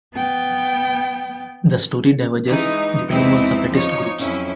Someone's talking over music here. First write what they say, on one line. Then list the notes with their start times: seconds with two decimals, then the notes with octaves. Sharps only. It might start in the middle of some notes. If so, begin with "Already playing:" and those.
The story diverges depending on separatist groups.
0.15 B3 G5
2.46 E3 G#3 D#4
3.08 E2 E3 G#3 C4 D#4 E4
3.69 F3 D#4 C#5
4.19 F2 F#3 C#4 E4